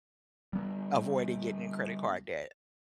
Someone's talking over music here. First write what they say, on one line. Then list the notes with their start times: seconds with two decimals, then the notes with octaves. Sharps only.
avoiding getting in credit card debt.
0.53 G3 B3